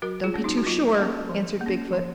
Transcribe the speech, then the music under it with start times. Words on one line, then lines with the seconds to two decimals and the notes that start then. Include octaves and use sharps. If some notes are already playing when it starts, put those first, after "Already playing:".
"Don't be too sure," answered Big-foot.
0.02 F#3 F#4 A#4
0.24 F4 G#4
0.34 A#3 C#4
0.44 D#4 F#4
0.58 F#4
0.66 F#3 F4
0.98 A#3 C#4
1.29 F3
1.61 A#3
1.66 C#4
1.93 F3